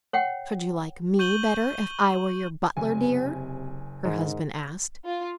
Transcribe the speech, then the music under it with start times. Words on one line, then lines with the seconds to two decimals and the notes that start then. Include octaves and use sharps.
"Should you like me better if I were your butler, dear?" her husband asked.
0.13 C#5 F#5 G5
1.19 C#6 G6 D#7 F#7 G7
2.77 F#1 C3 G#5
4.05 G#2 D#3
5.05 F4